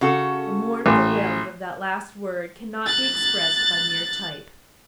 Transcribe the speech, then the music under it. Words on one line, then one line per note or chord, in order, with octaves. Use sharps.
The mournful wailing of that last word cannot be expressed by mere type.
C#3 F#4 A4
A1
F#6 A6